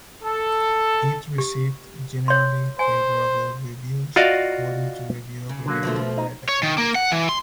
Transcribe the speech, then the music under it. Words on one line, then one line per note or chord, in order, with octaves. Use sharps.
It received "generally favorable reviews" according to review aggregator Metacritic.
A4
G4
C#5 C6
C5 G#5
F4 F#4 D5 D#5 F5
C#3
D3 F#3 A#3
B2 F3 A3
D#4
C#5
D#3
A#3
F#5
E3
C6